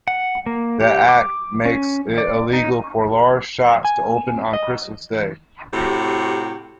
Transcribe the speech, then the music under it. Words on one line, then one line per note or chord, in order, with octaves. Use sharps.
The Act makes it illegal for large shops to open on Christmas Day.
F#5
A#3
G4
D6
C#4
D5
D#4
G#5
D#5
A2 C3 F#4 G4